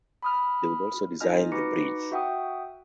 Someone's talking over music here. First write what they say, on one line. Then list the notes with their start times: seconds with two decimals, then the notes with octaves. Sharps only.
They would also design the bridge.
0.23 B5 D#6 F6
1.21 D#4 F4 D#5 G#5 F6
1.52 D#4 F#4 B4 D6 A#6 C#7
2.12 F#4 E5 F#5 G5 D#6